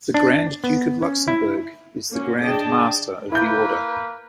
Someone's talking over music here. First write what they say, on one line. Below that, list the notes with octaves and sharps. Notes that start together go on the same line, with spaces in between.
The Grand Duke of Luxembourg is the Grand Master of the Order.
D4
B3
C#4
E4
A#3 C#4 F#4
D4 G#4 D#5 G5 A5
A#3 E4 B4 G6